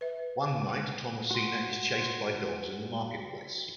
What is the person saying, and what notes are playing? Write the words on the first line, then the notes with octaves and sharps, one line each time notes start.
One night Thomasina is chased by dogs in the marketplace.
B4 E5
F#4 C6